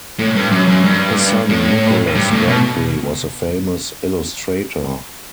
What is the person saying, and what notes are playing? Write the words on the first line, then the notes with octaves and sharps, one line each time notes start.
His son Nicolas Bentley was a famous illustrator.
A2
G2
F#2
F#2
G2
A2
G2
A2
B2